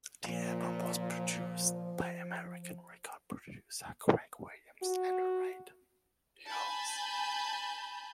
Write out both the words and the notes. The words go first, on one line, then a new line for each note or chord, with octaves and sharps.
The album was produced by American record producer Craig Williams and Reid Hyams.
A#2 F3
F#4
G#5 A5 B5 G6